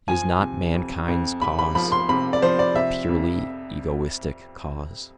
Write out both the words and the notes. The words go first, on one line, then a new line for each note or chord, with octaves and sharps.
Is not mankind's cause--a purely egoistic cause?
F3 G#5
C3
F2
F2
C3 B5
B5
F3 B5
C6
C3 B5
D5
F3 C5
D5
C3 E5
F2